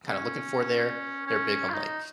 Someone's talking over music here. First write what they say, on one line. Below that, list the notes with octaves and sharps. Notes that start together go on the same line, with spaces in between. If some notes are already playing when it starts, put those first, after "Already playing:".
kinda looking for there. They're big on, like,
C#4
C#4
F4
D#4